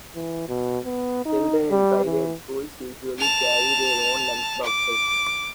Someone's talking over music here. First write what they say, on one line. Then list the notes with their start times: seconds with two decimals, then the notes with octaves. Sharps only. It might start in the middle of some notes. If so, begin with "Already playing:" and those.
Children in private schools usually carry their own lunch boxes.
0.15 E3
0.48 B2
0.85 B3
1.25 D#4
1.70 G3
2.05 E3
3.18 A5 F7
4.63 D6